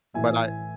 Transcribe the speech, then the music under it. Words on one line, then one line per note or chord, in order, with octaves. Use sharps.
But I
A1 A2 E3 E5 G#5